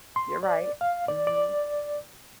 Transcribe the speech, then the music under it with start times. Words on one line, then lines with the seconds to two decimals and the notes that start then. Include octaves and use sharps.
You're right. Mhm.
0.16 C6
0.43 D5
0.81 F5
1.08 D5
1.27 D5